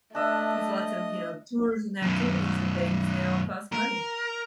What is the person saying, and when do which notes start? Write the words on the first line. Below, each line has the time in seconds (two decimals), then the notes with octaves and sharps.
'Cause lots of, you know, tourism activities and things, they all cost money.
0.15 A3 D4 D#5 E5
2.02 F#2 B2
3.72 A#4